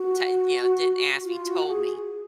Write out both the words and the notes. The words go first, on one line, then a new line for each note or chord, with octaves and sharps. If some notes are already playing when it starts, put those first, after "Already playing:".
To you know, didn't ask me, told me.
Already playing: F#4
F4
F#4
G#4